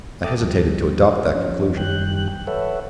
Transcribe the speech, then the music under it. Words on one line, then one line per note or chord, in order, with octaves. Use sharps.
I hesitated to adopt that conclusion.
A4 E5 G5 D6 D#6 A6
D#2 F3 G3
F3 C#4
F#2 D#3 G3 G5 F#6
A4 B4 C#5 E5 F#5